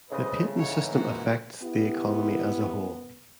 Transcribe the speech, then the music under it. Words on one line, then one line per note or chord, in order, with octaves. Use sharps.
The patent system affects the economy as a whole.
A2 C#3 B4 C5 D#5
G#2 E3 C#5
A#2 A#3 F#4
B3 E4 G4